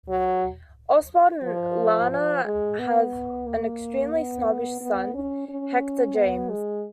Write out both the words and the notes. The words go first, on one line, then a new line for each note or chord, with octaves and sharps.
Oswald and Lana have an extremely snobbish son, Hector James.
F#3
F3
F3
G#3
B3
A#3
B3
B3
C#4
C#4
B3
G#3